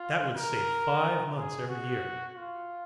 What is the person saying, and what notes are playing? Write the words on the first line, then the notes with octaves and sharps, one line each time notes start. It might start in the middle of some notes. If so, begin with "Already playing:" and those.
That would save five months every year.
Already playing: F4
A#4
G#4
F#4
F4